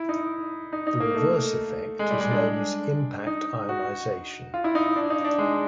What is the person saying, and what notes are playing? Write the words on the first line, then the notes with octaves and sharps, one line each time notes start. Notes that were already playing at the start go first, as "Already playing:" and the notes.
The reverse effect is known as impact ionization.
Already playing: E4
D#4
D#4
D#4
A#3
A3
G#3
G3
G#3
D4
D#4
F#4
F4
E4
D#4
D4
D#4
D4
G#3